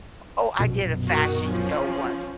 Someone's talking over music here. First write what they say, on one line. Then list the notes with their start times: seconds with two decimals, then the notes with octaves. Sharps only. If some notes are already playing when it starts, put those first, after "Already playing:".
Oh, I did a fashion show once!
0.59 A#1 F#2 B2
1.09 D#3 F#4
1.50 F3 C#4